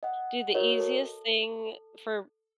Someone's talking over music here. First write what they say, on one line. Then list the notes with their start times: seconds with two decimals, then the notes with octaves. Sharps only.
do the easiest thing for
0.03 D#5 F#5
0.55 F#4 A#4 C#5 D#5
0.80 A4